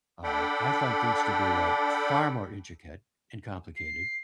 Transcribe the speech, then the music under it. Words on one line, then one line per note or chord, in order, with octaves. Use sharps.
uh, I find things to be, uh, far more intricate and complicated.
D4 A4 D5 F#5 G5 B5
C7